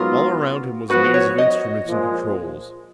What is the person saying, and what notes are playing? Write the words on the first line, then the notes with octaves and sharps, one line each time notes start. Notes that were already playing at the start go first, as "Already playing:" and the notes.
All around him was a maze of instruments and controls.
Already playing: G#2 F#3 B3 F4 A#4
F3 B3 F#4 B4
C#5
D#5
A#2 F3 G#3